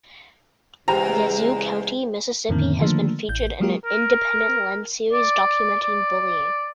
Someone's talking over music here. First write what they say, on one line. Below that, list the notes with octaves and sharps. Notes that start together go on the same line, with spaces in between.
Yazoo County, Mississippi has been featured in an Independent Lens series documenting bullying.
E2 C#3 G#3 G4 G#4 C5 G5 A#5
F2 A2 D3 D#3 A#3 C4
D3 D#3 F3 A3 A#3 D4
A1 G6
F#3 G#3 A#3 F4 G4 A#4
A#4
D5
D5